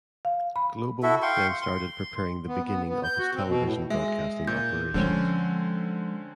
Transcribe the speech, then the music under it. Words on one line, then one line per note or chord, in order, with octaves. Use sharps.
"Globo" then started preparing the beginning of its television broadcasting operations.
F5
B5
E4 F#4 A4 E5
F5 G5 C6 C#6
C6
B3
B3
B3
G6
F#4
C4
B2
A2
G#3 E5
A#2 G6
D3 F3 G#3 C4 C#4